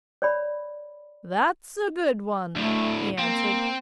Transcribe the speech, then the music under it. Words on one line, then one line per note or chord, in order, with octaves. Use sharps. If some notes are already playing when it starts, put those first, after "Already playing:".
'That's a good one,' he answered.
C#5 D5 B5
D2 A2 A3
A#3 C4